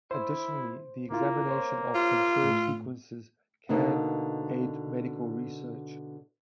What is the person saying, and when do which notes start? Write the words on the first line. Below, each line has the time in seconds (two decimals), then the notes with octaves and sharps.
Additionally, the examination of conserved sequences can aid medical research.
0.11 E4 C5
1.11 C#3 A#3 E4 F4
1.49 C5 C#5
1.95 F4
2.44 A2 A3
3.69 B2 D3 A#3 D#4